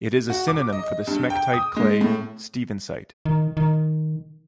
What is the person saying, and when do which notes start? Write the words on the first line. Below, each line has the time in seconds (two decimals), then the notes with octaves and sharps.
It is a synonym for the smectite clay: stevensite.
0.30 F#4
0.48 D6
0.73 D#5
1.07 G2
1.30 G5
1.53 D#6
1.76 G#3
2.01 A2
3.25 D#3
3.57 D#3